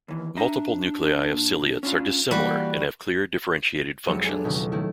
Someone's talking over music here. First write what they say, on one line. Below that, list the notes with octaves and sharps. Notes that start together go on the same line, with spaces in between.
Multiple nuclei of ciliates are dissimilar and have clear differentiated functions.
D#2 E3
D4 E5 A#5
A#2
C#4 D4 F4
E3 G3 A#3 F#4
F1 F#3 G#3 B3 E5 C#7
D4 A4 G#5
C#2 B2 D#3
D#3 A3 E4